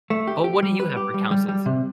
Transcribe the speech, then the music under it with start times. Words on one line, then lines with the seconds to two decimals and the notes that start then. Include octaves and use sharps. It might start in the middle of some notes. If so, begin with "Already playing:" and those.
but what do you have for consoles?
0.10 A3
0.27 G4
0.44 G4
0.62 G3
0.80 B4
0.97 G4
1.14 G3
1.31 G3
1.49 G3
1.66 C3